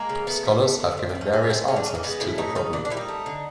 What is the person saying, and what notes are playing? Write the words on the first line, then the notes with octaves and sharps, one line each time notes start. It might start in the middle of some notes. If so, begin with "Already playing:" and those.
Scholars have given various answers to the problem.
Already playing: G#3 A#3
C#3
A3 B3
B2
A3
D3
B3
A3 C4
C4
A2
C#4
G#3 C#4
A2 C4
G#3 C#4
D4
C#3 C#4
A#3
G#3 B3
A2 E4
A3 D#4
C#3 D#4
A#2 D4
D4
G3 E4
D#4
A3
D3